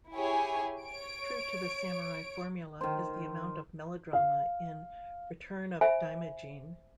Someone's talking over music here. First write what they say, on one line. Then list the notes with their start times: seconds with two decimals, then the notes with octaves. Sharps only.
True to the samurai formula is the amount of melodrama in "Return of Daimajin".
0.13 E4 G4 G#4 C#5 G#5
0.82 C#5 D7
2.81 D#3 C5
4.13 F5
5.81 C5 E5 G#5 B5